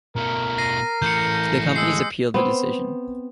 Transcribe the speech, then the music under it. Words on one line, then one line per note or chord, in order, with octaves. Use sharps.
The companies appealled the decision.
B2 A3 A#4
A#6 C7 D#7
E3 A3 G6 C#7
G#3 E6 C7
B3 C4